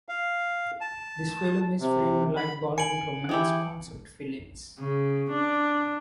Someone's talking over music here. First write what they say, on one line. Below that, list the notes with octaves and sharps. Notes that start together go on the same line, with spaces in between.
This film is framed like Bollywood Romance Concept films.
F5
A5
C3
B5
G#5 C#7 D7 F#7
E3 E4 G4 G#4
C#3
D4